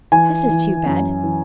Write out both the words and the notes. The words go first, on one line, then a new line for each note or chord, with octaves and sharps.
This is too bad!
E3 G#5
E3
F#2
E3